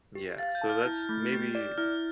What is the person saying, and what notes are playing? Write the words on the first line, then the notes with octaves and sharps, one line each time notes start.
yeah, so that's maybe
G4
F5 A6
G6
A5
F6
E4
A3
G4
D5
E4 F6